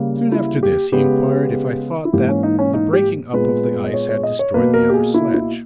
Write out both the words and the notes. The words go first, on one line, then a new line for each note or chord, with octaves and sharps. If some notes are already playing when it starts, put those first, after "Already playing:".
Soon after this he inquired if I thought that the breaking up of the ice had destroyed the other sledge.
Already playing: C#3 G3 A#3
E4
G4
C#3 G#3 B3 G4
E4
G#2 E3 A#3 G4
C#4
D#4
C#4
D#4
G4
A#2 G#3 B3 B4
D#5
C#5
C#5
D#5
C#5
B2 A#3 B4
A#4
G4
G#4
E4
E4